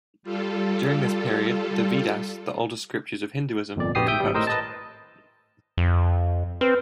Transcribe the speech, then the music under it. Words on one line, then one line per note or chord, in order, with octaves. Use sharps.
During this period the Vedas, the oldest scriptures of Hinduism, were composed.
G3 F4 A4
G1 F2 A#2 D5
A#1 B3 F#4 G4 D#6 C7
E5 G5 D#6 G6
G#1 G3
A2 A#4 C5 D#5 E6
B4 D#5 A5
F2
C4 B4